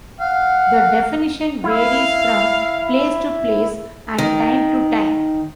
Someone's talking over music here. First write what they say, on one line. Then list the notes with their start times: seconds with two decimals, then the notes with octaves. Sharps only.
The definition varies from place to place and time to time.
0.20 F5 F#5
1.64 E4 F5
4.18 D#3